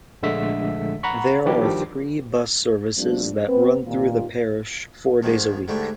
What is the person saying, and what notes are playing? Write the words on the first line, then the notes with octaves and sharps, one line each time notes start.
There are three bus services that run through the parish, four days a week.
A#1 D3 G#3 A3 E6 B6
F#5 A#5 B5 C#6
D#3 F3 G3 D4 F#4 G4
F3 G3 A3 A#3 C4 D4
B3 C4 B4
A#2 D#3 A#3 D#4 F4 G4
G#2 D#3 F3
G#2 D3 G3 A3